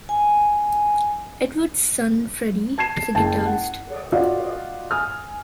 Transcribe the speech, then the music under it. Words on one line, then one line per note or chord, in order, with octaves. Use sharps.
Edwards's son Freddie is a guitarist.
G#5
A5 G#6 C7 E7
F#1 G5 A5
F#5
F4 F#4 D5 D#5 F5 F#5
G#5 D#6 F6